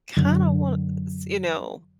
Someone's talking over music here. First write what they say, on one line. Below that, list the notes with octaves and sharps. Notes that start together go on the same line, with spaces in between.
kinda wanna s you know,
F#2 D3